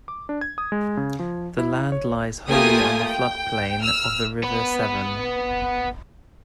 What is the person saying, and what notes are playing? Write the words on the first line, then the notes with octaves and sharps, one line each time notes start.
The land lies wholly on the flood plain of the River Severn.
D6
D4
G#6
D#6
G#3
C#3
F3
E4
C#5
A3 A#3 F4 G4 G#5 D#6
G5
E6 F6
B3 B4